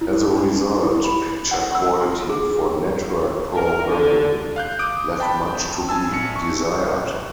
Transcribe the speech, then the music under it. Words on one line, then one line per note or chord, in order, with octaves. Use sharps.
As a result, picture quality for network programming left much to be desired.
E4
D4
E4
B5
F#5
E6
C6
G#4
A#4
D3
F5 F#6 G6
D6 D#6 D7
G5 A5 B5
G#5 A5 E6
A#1 C#7
C#6